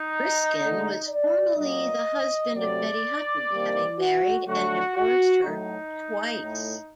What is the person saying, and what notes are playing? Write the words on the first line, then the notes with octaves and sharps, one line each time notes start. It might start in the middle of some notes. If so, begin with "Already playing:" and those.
Briskin was formerly the husband of Betty Hutton, having married and divorced her twice.
Already playing: D#4
D3 A3
D5
A#2 F#3 A#3 D#5
C3 F#3 A3 D5
C3 D#3 G3 A#3
F#4
D3 F#3 A3 F#4
F#4
A2 F#3 A3 D#4
A2 A3